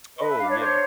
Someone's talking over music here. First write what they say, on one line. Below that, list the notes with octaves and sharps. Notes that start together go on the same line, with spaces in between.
Oh yeah.
B4 D#5
E5
D4 F5
C#5
C5 C#5